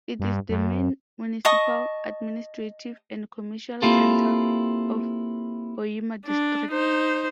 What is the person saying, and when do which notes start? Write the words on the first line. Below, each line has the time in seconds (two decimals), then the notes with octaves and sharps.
It is the main municipal, administrative, and commercial center of Hoima District.
0.20 G2
0.49 F#2
1.45 D#5 A5 C#6 D#6
3.82 A#3 C4 E4 F4 G4 A4
6.25 D4
6.71 D#4 C5